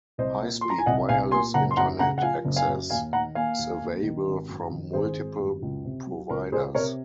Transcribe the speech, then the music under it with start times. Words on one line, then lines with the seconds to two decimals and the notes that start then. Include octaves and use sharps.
High speed wireless Internet access is available from multiple providers.
0.18 C2 C5 D#5
0.41 A#2
0.61 F3 C6
0.70 A#5
0.78 G#5
0.86 C2 D#5 F#5
1.09 C2 F5 G#5
1.31 A#2 G#5 C6
1.54 F#1 F#5 A#5
1.71 C6
1.77 F#2 F#5 A#5
1.99 C#3 F#5 A#5
2.18 F#5
2.22 F3 F5 G#5
2.45 F#1
2.56 F5 G#5
2.68 F#2
2.90 D#2 F5 G#5
3.13 D#3 F#5 A#5
3.35 A#3 F5 G#5
3.59 D#2
3.81 D#2
4.03 D#3
4.26 G#1
4.49 F#2
4.71 D#3
4.93 G#1 G#4 C5
5.17 G#1
5.39 F#2
5.62 C#2
5.85 C3
6.07 F#3
6.30 C#2 A#4
6.52 C#2 G#4 C5
6.75 C3 A#4 C#5